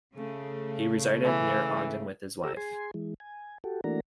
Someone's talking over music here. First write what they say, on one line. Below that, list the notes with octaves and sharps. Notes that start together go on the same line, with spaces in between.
He resided near Ogden with his wife.
C#3 A3
E3
G4 A4 A#5 E6
G#4 G#5 C6
E3 G#3
G#5
F#4 G4 A4
E3 A3 A#3 D4 F#4 A#5